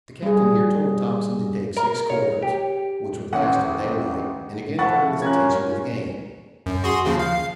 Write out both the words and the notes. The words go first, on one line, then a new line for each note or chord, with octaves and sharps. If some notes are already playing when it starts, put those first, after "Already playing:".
The Captain here told Thompson to take six cords, which would last till daylight--and again turned his attention to the game.
G3 G#4
A#4
C#5
G4
A1 D#2 F#5
A2 F3 E5 F#5 B5 C#6 A6
C#4 F4 G4 A#4 F#6 G#6
F#2
F#4 G#4 C6
D#2 C#3 F3
F5